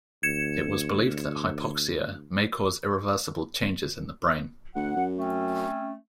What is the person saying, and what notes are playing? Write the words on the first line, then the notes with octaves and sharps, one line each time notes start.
It was believed that hypoxia may cause irreversible changes in the brain.
D2 G#6 C#7 E7
D2 F#5
F#2
A3 C4 C#4